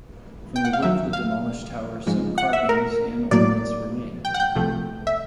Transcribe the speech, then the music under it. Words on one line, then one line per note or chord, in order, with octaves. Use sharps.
From the wood of the demolished tower some carvings and ornaments were made.
G5
F#5
F5
D#2 C#3 F#3 E5
F5
G#2 F3 G#3
F#5
E5
A#4
A2 F#3 A#3 D5
G5
F#5
G5
C2 C3 F3 A3
E5